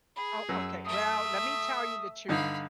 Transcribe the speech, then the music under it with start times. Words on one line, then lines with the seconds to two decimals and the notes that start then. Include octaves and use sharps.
Oh, okay. Well, let me tell you the truth.
0.16 G#4 B5
0.49 F#2 E6
0.85 A3 E5 D#6
2.29 G2 D3 D#4 F5 B5